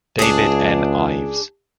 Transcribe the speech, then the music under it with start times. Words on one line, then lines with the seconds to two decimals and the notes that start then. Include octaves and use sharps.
David N. Ives.
0.19 C#2 D4 G#4